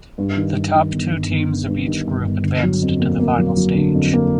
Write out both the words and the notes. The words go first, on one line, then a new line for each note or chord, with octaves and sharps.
The top two teams of each group advanced to the final stage.
G2
D#3
G2
D#3
G1
G1
G1
D#3
G2
D#3
G1
G1
D3
F#3
F2
A#3
A#3
F#3
F#3
D3
F2
A#3